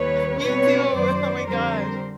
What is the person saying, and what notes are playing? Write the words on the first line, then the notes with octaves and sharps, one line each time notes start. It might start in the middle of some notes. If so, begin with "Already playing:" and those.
Me too, oh my gosh.
Already playing: D#2 D#3 G3 B4 C#5
B2 G3 C4 B4 C#5
F#2 D#3 F#3 C5 D5
F2 D3 G3 C4 A#4 C5